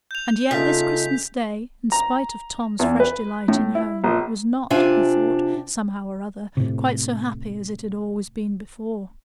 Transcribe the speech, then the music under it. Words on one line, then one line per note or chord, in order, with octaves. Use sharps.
And yet this Christmas day, in spite of Tom's fresh delight in home, was not, he thought, somehow or other, quite so happy as it had always been before.
G6 F7
C#3 A3 D#4 F4 B6
A#5
E2
B4
A2
E4
A#1
C3 D4 F4 E5 G#5
A2 C3